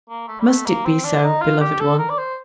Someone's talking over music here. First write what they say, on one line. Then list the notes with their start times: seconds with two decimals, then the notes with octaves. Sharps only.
Must it be so, beloved one?
0.10 A#3
0.28 A3
0.40 G3
0.47 A3
0.66 A#3
0.85 C4
1.04 D4
1.23 D#4
1.42 F4
1.60 G4
1.80 A4
1.99 A#4
2.10 D5
2.18 C5